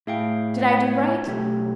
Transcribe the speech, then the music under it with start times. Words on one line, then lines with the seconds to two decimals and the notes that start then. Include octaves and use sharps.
Did I do right?
0.07 A2 E4 G#4 F5 G5
0.58 F#5
0.82 C#5
1.27 B1 A3 G4